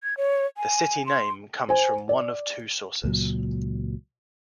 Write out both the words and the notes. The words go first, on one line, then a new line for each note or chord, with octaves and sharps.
The city name comes from one of two sources.
G#6
C#5
G#5
C6
C5 G#5
D5
C#2 A#2 F#3